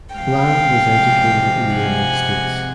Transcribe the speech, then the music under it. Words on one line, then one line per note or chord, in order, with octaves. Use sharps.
Bland was educated in the United States.
C3 F3 G#3 F5 G5
F#5 G#5